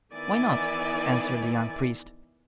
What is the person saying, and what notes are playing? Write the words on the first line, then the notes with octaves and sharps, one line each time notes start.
"Why not?" answered the young priest.
D#3 E3 B3 D5 E5 G#5